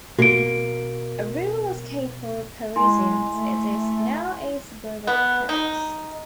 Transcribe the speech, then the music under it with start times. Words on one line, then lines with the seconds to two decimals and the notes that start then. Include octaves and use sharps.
A rural escape for Parisians, it is now a suburb of Paris.
0.19 B2 A#3 F#4 D7
2.76 G#3 E4 G#5 C6
3.32 A3
5.07 B3
5.49 D#4